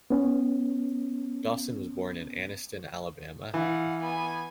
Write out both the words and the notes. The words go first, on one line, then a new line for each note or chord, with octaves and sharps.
Dawson was born in Anniston, Alabama.
B3 C#4
E3 F5 F#5
B3 G#5